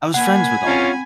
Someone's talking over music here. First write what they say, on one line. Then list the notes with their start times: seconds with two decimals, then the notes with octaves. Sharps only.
I was friends with all of 'em,
0.14 A#3 F#5 G#5 B5 G#6
0.66 C4 C#4 F4